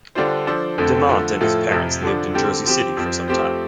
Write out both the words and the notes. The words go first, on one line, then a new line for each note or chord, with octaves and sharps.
Dimant and his parents lived in Jersey City for some time.
D3 G3 D4 F4 C5
F3 D4 A4 C5
F2 D3 A3 C4 A4
D3 F3 A3
A2 F3 A3 F4 A4
F2 C3 F3
D3 F3 D4
D3 G3 C4 G4
F3 C4 G4
F2 F3 C4
F3 A3 C4 G4 C5